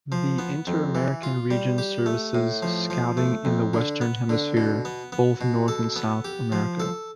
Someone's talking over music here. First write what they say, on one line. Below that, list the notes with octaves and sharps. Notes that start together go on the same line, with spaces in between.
The Interamerican Region services Scouting in the Western Hemisphere, both North and South America.
F3
B3
F2
E3
F4
G3
G4
A3
A2
F3
F3
A3
F2
D3
B3
D3
B2
B3
B3
B2
A4
B3
G4
F3
A4